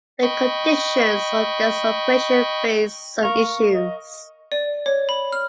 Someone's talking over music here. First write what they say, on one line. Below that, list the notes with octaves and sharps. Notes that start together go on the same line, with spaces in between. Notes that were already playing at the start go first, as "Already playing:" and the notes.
The conditions of this operation raise some issues.
D#5 G5 B5 C#6
A#4 F5 C#6
D#5
D5
C#5
B5
F6